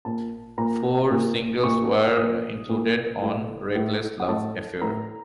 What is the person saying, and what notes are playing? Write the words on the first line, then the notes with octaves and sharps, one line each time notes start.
Four singles were included on "Reckless Love Affair".
A#2 A5
A#2 A#5
A#2
A#2 C#6
A#2 D#6
A#2
A2
A2
F#5
A2 A5
A2 A#5